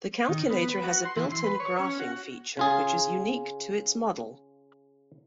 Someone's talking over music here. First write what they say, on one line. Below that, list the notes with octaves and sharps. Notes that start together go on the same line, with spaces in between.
The calculator has a built in graphing feature which is unique to its model.
D#3
B3
B4
F#4
C6
E3
C6
B4
C#5
C#4
F#4
C#3 F4 G#4